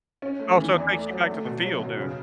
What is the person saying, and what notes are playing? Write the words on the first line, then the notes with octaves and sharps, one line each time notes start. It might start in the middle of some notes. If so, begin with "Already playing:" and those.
Oh, so it takes you back to the field then.
C#4
A3
E3
E2
A3
F#3
A3
B2
F#3
B2
C#3